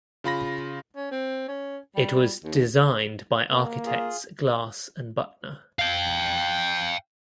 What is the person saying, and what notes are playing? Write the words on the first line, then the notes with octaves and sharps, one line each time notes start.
It was designed by architects Glass and Butner.
C#3 F4 B5 A#6
C#4
C4
C#4
G3
D#2
A#3
F4 G#4
F5 G5